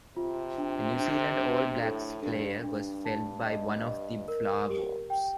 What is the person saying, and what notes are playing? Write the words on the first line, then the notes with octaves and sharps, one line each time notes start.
A New Zealand All Blacks player was felled by one of the flour bombs.
C3 F4
D4
D4
D4
A2 A4
G2 D4
G2 D4
A5
D#5
D#5
A#4
G4
G5